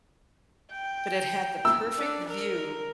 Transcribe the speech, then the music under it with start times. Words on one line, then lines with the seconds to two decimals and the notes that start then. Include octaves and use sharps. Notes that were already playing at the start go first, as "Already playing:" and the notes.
but it had the perfect view
0.71 G5
1.65 E6
1.98 D4
2.28 A#4